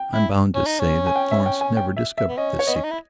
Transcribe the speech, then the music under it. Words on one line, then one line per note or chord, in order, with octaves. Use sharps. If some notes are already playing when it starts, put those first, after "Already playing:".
I am bound to say that Florence never discovered this secret.
Already playing: G5
E4
C#4
D#4
C#4
G#5
G5
E5
G5
G#5
G5
E5
E5
B3
C#4 D#5
C#5
B3 D#5
C#4
D#4
E4